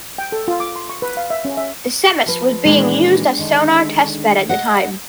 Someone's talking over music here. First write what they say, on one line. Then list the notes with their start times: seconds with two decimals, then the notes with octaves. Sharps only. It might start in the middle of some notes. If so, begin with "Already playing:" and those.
The "Semmes" was being used as a sonar testbed at the time.
0.18 G5
0.32 A4
0.48 F4
0.60 D6
0.76 C6
0.90 C#6
1.02 B4
1.17 F5
1.30 E5
1.45 C#4
1.57 E5
2.26 F3 B4
2.65 A#2 D#3 E3 G#3 D4
3.39 D3 D#3
4.49 D#5 F#5